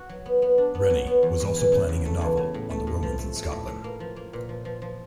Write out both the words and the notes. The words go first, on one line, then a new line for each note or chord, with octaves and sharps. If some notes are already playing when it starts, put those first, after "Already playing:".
Rennie was also planning a novel on the Romans in Scotland.
Already playing: F#4
F#3
B3
B3
D4
B3
F#3
B3
E2
E2
E3
C#3
E2
A3
E2
C#3
A2
A3
A2
F3
A3
A3
A2
A2
A#3
F3
A#3
A#2
F3
F3
F3